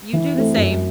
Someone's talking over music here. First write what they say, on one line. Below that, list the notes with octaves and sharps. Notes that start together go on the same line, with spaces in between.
You do the same.
E3
A3 C4
F#2